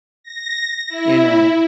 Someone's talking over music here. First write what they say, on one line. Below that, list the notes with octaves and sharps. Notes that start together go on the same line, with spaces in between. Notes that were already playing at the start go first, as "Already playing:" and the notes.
you know,
A#6
E4